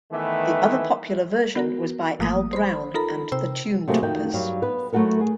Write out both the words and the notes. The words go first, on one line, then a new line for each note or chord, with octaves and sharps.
The other popular version was by Al Brown and The Tunetoppers.
D#3 E3 A3 B3
B3 F#4 A#4
G#1 F3 A3 A#3 D#6
C5 B5
D#4 F4 A4 A#4 A#5 B5
C3 C5 G5 E6
C3 F#3 A3 A#3 F#4 G#4
F2 D#3 A3 F#4 G5
G2 F#3 G3 F5
B3 B4
F#3 A3 E4 F#4 A4 A#4
G#4